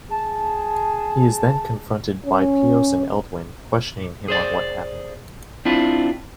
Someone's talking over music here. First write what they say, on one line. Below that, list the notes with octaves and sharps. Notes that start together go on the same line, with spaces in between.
He is then confronted by Pios and Elwyn, questioning him on what happened.
G#4 A5
C#4
G#4 C5 D5
C4 D4 E4 F4